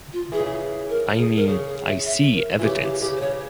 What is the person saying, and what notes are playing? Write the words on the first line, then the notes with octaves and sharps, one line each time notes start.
I mean I see evidence.
F4
E3 G#4
C#3
E3
A#4
G#4
A#4
C#3 G#4
G#4
E5
E5
A#4
C#3 E3 F4 G4
G4
C#3 G4
C5
C#3 C#5